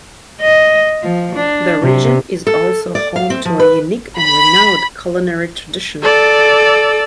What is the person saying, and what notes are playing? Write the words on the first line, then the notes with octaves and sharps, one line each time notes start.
The region is also home to a unique and renowned culinary tradition.
D#5
F3
D4
C3
A4
D5
F5
C4
F3
B4
B5
A4 D5